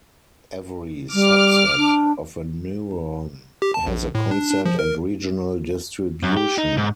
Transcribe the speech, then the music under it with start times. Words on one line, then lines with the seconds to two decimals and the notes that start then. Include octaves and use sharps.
Every subset of a neuron has a constant and regional distribution.
1.14 G3 D6 F6
1.77 D4
3.62 G4
3.74 A5
3.87 A#1
4.15 A2
4.31 D4
4.50 D4
4.65 F3
4.79 A#4
6.23 F#2
6.37 G4
6.58 D#4
6.77 G#2